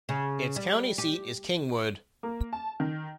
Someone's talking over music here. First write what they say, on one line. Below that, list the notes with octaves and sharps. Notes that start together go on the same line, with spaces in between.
Its county seat is Kingwood.
C#3
G3
G4
A#3
A5
D#3